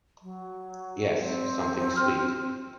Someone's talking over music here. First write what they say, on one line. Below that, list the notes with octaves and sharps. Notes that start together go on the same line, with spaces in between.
Yes. Something sweet.
F#3
C4
G5 C6 F6